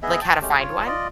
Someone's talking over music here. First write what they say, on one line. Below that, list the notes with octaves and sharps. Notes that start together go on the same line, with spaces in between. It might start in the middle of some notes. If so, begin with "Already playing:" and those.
Like, how to find one?
B3 G#4 D#5 E5
G5 A5
G#3 A3 C#4 G4
F4 C#5
F4 D5 D#5